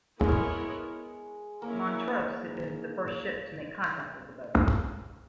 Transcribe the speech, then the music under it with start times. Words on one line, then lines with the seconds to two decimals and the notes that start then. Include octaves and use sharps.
"Montrose" had been the first ship to make contact with the boat.
0.19 G#3 B3 E4 A#4 C#5
1.62 A#3 C#4 E4 A#4 C#5